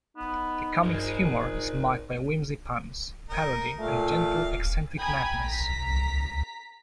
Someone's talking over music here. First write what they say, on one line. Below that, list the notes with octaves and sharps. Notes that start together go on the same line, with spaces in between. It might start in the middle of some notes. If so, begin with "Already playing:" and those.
The comic's humor is marked by whimsy, puns, parody, and a gentle, eccentric madness.
B3 D#4
G2 F#3 G#4 A#4 C5
D#4 A#4
A#2 A3 F5
G5 G#5 A#5 B5 D#6 G#6
A#5 B6